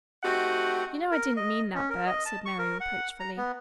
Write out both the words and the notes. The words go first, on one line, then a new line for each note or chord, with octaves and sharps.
"You know I didn't mean that, Bert," said Mary reproachfully.
A3 C4 D#4 F#4 G4 F#5
A#4
D#5
C#4
A#4
D#5
A5
C#6
A#4
F#5
A#5
B3